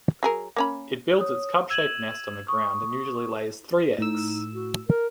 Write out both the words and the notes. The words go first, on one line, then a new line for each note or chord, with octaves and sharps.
It builds its cup-shaped nest on the ground and usually lays three eggs.
F#3 G#4 A#4
A#3 C#4 B5
C#5 D#6
E6 G#6 D#7 E7 F#7
C#6 D#6
A2 D#4 E6
F#4
A#4